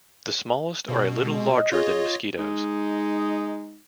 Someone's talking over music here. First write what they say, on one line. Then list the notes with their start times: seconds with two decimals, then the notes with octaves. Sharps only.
The smallest are a little larger than mosquitoes.
0.89 B2
1.24 G#3
1.53 D#5
1.72 F4 G#4 C#5 D#5
2.39 G#3 D#4